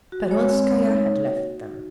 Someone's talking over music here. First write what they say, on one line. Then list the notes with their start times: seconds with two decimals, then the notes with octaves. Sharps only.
Peronskaya had left them.
0.12 F#4
0.31 G#3 C#5
0.49 C4
0.68 G#3
0.87 D#4
1.05 A#3
1.24 F#4
1.42 D#4
1.61 F#4